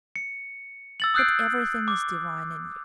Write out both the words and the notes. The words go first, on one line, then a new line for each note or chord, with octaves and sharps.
But everything is divine in you....
C#7
E6 A6 F#7
D#6 E6 F#6 G6 C7 D7
D6